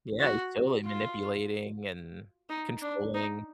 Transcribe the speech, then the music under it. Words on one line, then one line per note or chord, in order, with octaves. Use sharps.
Yeah, he's totally manipulating and controlling.
F#4
F4
D#4
D4
D#4